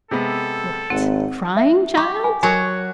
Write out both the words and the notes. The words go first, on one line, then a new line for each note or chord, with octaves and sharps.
What! crying, child?
C3 G#3 B3 A4
G#1 C4 F#5
E5
G4 C#6
G#5
F#3 F#4 A#4 C#5 G#5